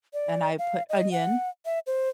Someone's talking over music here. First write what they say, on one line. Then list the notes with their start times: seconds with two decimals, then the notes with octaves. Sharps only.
and I put onion
0.14 D5
0.59 F5
0.89 D#5
1.12 F#5
1.65 E5
1.87 C5